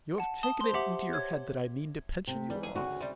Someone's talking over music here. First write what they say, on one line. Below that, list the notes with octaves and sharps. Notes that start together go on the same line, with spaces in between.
You have taken it into your head that I mean to pension you off.'
F#5 A5
A5 D#6 G7
C5 C6
G4 E5 F#5 D6 F#7
F#5
C#5 G#6
C3
E3 G3
G#4
D2 C#3 F#4
C3 G3